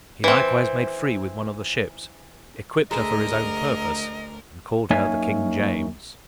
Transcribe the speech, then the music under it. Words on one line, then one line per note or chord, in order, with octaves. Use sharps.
He likewise made free with one of the ships, equipped her for his own purpose, and called her the King James.
E3 C4
D2 G#3 A4 A#4 D#5 E5 A#5
F#2 A#3 D#4 C#5 E5 G#5